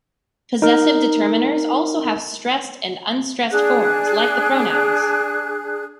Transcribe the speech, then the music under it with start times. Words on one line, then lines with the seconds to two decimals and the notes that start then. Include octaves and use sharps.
Possessive determiners also have stressed and unstressed forms, like the pronouns.
0.62 D#4 A#4
3.52 D4 G#4 F#6